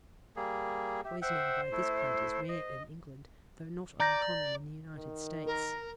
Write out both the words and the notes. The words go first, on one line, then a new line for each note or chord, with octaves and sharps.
Poisoning by this plant is rare in England, though not uncommon in the United States.
G3 A#3 G#4
G4 E5
C5 E5 F#5 G5
A3 E4
D#5
D5 A#5 G6 A#6
D#3
A#4